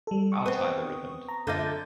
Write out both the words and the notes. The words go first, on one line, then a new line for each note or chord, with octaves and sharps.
I’ll tie the riband.
G3 A4
C#6 D#6
B3 C4
A#5
F#2 D3 F4 D#5 G6 A6